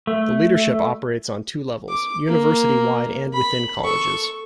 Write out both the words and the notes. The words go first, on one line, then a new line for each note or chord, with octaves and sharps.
The leadership operates on two levels - university wide and within colleges.
A3
D6
A#3
B5
A4 C#6